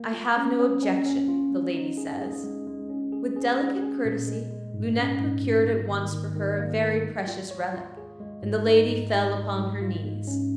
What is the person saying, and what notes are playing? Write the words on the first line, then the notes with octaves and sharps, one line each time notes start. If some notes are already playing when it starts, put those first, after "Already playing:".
"I have no objection," the lady says. With delicate courtesy, Lunete procured at once for her a very precious relic, and the lady fell upon her knees.
Already playing: A#3
F4
C#4
C#4
C#4
C#4
F4
G#3
D#4
G#4
G#4
G#3
G#3
C#4
G#4
G#4
C#4
G#4
A#2
G#3
G#3
G#2
C#4
G#2
G#2
A#3
D#3
D#3
D#3
A#3
A#4
G#3
F4
C#5
F4
G#4
G#3
G#2
D#4
G#2
D#4
G#3
G#2
F4
G#3
C#4